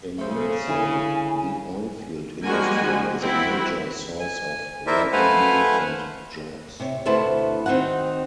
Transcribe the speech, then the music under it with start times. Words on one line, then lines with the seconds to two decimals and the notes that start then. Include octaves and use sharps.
In Lindsay, the oilfield industry is a major source of revenue and jobs.
0.18 C#3 A3 A4 C5
0.67 D3 E4 G#5
2.43 F3 G3 G#3 A#3 F#4 G#5
3.20 C4 E4 F#4 B5
4.20 G#5
4.87 E4 A#4 C5 D5 E5
5.12 A3 B4 C5 F5 F#5 G#5
6.80 C3 C#5
7.05 D2 B2 B3 E4 A4 C5
7.66 D#3 C4 D#4 F#4 F#5